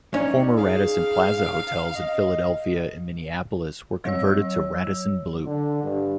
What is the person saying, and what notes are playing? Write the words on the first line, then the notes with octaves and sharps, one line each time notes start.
Former Radisson Plaza hotels in Philadelphia and Minneapolis were converted to Radisson Blu.
C#4 D#4 D5
G#4 F5
D#5
F#3 C#5 E6
D3
G2